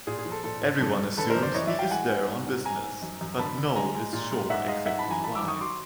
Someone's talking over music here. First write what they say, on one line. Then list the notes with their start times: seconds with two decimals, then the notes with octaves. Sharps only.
Everyone assumes he is there on business, but no is sure exactly why.
0.07 A#2 G#4
0.19 G#4
0.25 F3
0.32 A4
0.44 A#2 A4
0.63 A#2
0.80 F#2 A4
0.99 G3
1.17 D3 A4 B4
1.30 A#4 C5
1.36 F#2
1.42 C5 D5
1.54 E3 C#5 D#5
1.67 D5 E5
1.73 E3
1.79 F5 G5
1.91 G#3 F#5 G#5
2.09 G2
2.28 G#2
2.47 G#2
2.65 G#2 G#5 A#5
2.84 G#2
3.02 F#2
3.21 F#2
3.38 D3 A5 B5
3.57 D3
3.76 G#3 G#5 A#5
3.95 G#3
4.13 A#2
4.31 G#3
4.50 G#2 E5 F#5
4.68 G#3 D#5 F5
4.86 G#2 E5 F#5
4.99 A5 B5
5.05 E3
5.11 G#5 A#5
5.24 G#2 A5 B5
5.35 D6 E6
5.42 D#3
5.48 C#6 D#6
5.60 F#3 C6 D6